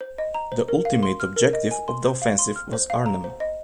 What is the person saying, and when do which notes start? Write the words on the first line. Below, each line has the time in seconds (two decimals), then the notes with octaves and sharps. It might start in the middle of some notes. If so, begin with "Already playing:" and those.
The ultimate objective of the offensive was Arnhem.
0.01 C5
0.18 D#5
0.34 A#5
0.52 C5
0.68 A#4
0.85 F5
1.03 C6
1.20 F6
1.36 A#4
1.53 D#5
1.71 G#5
1.88 C6
2.04 C5
2.22 F5
2.39 C6
2.56 F6
2.73 C5
2.90 F5
3.06 A#5
3.24 C5
3.40 D#5